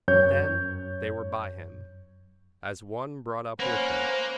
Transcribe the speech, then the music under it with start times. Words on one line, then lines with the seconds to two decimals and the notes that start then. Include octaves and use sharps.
Then they were by him, as one brought up with him.
0.08 F#2 C#5 G6
3.60 A#3 C#4 B4 C5 F#5